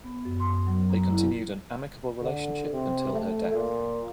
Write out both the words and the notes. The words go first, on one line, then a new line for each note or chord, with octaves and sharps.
They continued an amicable relationship until her death.
B3
F#2
C6
F#3
A#5
E4
D3
C3
A3
A#2